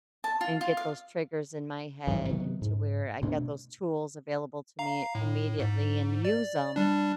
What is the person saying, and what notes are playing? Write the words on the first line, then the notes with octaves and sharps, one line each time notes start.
and get those triggers in my head to where I get those tools available to me immediately and use 'em,
A5
F4
F4
F5
G#1 G2 E3 F3
C3 D#3 F#3 B3
G#2
D2 B2 A3 D4
F5 A#5
A2
G#2
D5
G3 D4